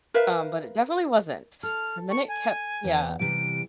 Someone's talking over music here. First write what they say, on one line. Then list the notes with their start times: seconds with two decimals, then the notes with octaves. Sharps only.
Um, but it definitely wasn't, and then it kept yeah,
0.14 A#4 B4 E5 F5
1.63 A4 F6
2.10 C#6
2.28 G#5
2.84 E2
3.20 C3 E3 G3 D7